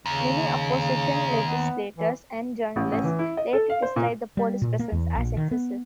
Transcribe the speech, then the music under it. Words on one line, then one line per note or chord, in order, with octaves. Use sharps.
Many opposition legislators and journalists later described the police presence as excessive.
D#2 C#3
B3
E3
A1
A1
E3
E4
D#5
A4
F5
C5
A#2
G3
A#2
A#3
E2
A#1
D#3
B3